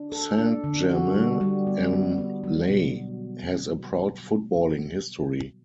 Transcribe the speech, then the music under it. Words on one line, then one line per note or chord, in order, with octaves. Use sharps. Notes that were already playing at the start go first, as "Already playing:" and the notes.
Saint-Germain-en-Laye has a proud footballing history.
Already playing: D4
A4
D4
D3
F#4
G3
G3
B3
B3
B3
F#3
B2